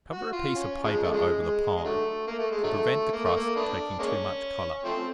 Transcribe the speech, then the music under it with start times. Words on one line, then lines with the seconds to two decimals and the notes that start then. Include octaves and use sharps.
Cover a piece of paper over the pie, to prevent the crust taking too much colour.
0.11 F#4
0.32 F4
0.55 C#4
0.84 C#3 F3 G#3
1.03 A3
1.12 C#3 F3 G#3
1.41 G#3
1.76 G#3
1.84 D3 F#3 A3
2.27 A#3
2.38 A3
2.51 G#3
2.63 D3 F#3 A3
3.12 A#3
3.25 A3
3.36 A#3
3.56 A3 B3 D4
3.99 G#3 A#3 C#4
4.84 F3 A3 C4